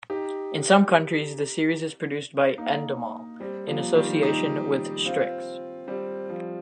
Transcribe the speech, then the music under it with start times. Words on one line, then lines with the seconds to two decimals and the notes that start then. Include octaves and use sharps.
In some countries the series is produced by Endemol, in association with Strix.
0.10 D#4 G4
2.58 A#3 D#4
3.40 G3 C4
3.68 F3 A#3
3.95 D#3 G3
4.23 D#4 G4
5.06 C4 F4
5.88 G3 C4
6.29 F3